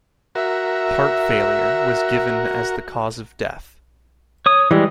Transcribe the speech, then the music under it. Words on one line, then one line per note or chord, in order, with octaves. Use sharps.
Heart failure was given as the cause of death.
F#4 A#4 E5
C#5 D#6
E3 G3 G#3